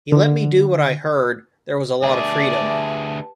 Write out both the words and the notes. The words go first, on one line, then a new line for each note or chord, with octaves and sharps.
He let me do what I heard, there was a lot of freedom.
D3
D2 G4 G#4 B4 D5 E5 A5